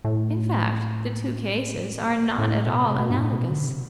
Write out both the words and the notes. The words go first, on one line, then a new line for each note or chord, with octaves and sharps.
In fact, the two cases are not at all analogous.
A2
B2
A2
G2
A2
B2
C3
B2
G2
A2
B2
D3
C3